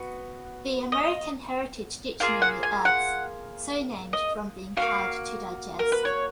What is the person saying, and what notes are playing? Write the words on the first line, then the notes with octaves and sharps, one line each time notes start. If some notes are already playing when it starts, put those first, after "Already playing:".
The American Heritage Dictionary adds "so named from being hard to digest".
Already playing: B3 F#4
D#5
A#3 F4 G#4 F5
F#5
G#5
F#5
D#5
C#4 F#4 F5
A#3
A#4
B4
C#5